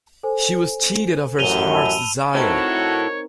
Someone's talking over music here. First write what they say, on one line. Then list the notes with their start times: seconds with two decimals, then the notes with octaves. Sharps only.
She was cheated of her heart's desire.
0.23 A4 C5 G#5
1.39 A1 F#2 D#7 F7 G7
1.73 A5 B5 E6
2.35 C4 D#4 E4 F#4 A4 A#4 C#5